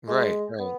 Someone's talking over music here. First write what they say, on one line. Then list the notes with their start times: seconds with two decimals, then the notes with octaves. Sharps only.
Right. Right.
0.08 G#3
0.59 B3